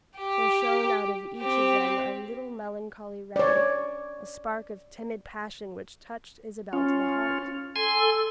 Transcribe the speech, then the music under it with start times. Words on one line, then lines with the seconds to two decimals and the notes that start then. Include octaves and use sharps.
There shone out of each of them a little melancholy ray--a spark of timid passion which touched Isabel to the heart.
0.17 G4
1.39 C4 G4
3.36 C#5 D5
6.73 C#4 F4
7.76 A4 G#5 C6